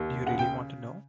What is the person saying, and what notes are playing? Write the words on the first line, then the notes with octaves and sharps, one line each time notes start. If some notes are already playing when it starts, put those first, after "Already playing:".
Do you really want to know?
Already playing: D#2
C#3 F#5
G5